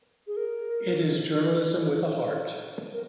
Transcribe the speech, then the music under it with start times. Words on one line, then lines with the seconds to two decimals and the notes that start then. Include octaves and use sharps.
It is journalism with a heart.
0.27 G#4
0.37 A#4
2.93 A#4